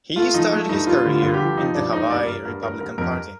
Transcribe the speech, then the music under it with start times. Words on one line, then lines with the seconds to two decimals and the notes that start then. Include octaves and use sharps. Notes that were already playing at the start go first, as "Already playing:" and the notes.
He started his career in the Hawaii Republican Party.
0.16 A3 F4
0.34 F3 D#4
0.52 A3
0.69 G2 D#4
0.87 G2 F4
1.04 D3
1.11 F4
1.22 G2
1.34 G4
1.40 F3
1.57 F3 D#4
1.75 G2 D4
1.93 G2 D#4
2.10 G2 D5
2.27 G2 A#4
2.45 G2 A#4
2.63 G2 A#4
2.80 G2 A#4
2.98 F2 A#4